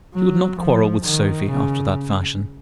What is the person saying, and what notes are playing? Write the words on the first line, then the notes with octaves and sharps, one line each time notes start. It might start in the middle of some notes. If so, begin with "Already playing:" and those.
She would not quarrel with Sophie after that fashion.
F#3
F3
D#3
C#3